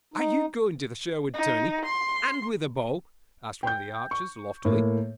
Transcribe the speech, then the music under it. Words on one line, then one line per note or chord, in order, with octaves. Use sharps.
"Are you going to the Sherwood tourney, and with a bow?" asked one of the archers, loftily.
D#4
D#4
C6
G5 G6
C#6
A2 A#3